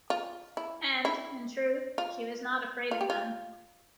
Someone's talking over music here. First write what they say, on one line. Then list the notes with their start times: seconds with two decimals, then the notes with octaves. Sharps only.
And, in truth, she was not afraid of them.
0.10 F4
0.57 E4
1.05 E4
1.98 F4
2.91 F4
3.01 G4
3.10 F4